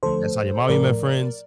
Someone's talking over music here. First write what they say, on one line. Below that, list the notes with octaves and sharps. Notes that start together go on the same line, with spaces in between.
and that's how your mommy met friends,
D3 F3 A3 A4 C5
A2 F3 A3 A#4 D5